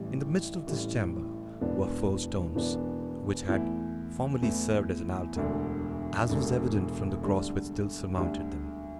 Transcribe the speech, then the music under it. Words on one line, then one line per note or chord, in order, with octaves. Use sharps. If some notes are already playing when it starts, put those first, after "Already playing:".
In the midst of this chamber were four stones, which had formerly served as an altar, as was evident from the cross which still surmounted them.
Already playing: A1 A2 E3 G3
A1 A2 E3 G3
E1 E2 E3 B3 D4
E1 E2 E3 B3 D4
E2 E3 A3 E4
E2 E3 A3 E4
E1 D2 D3
E1 D2 D3
D2 D3 G3
D2 D3 G3